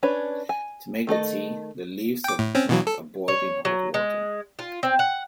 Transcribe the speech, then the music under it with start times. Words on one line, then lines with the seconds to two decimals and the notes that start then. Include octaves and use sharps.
To make the tea, the leaves of the plant are boiled in hot water.
0.03 C#4 D4 B4 C#5
0.49 G#5
1.07 D#3 A3 A4 D#5
2.24 G5 D6
2.39 A2
2.55 C4 C#4
2.69 B2 E3 F#3
2.87 A4
3.28 C#5
3.65 F#3
3.94 G#3
4.59 F4
4.83 C4
4.99 F#5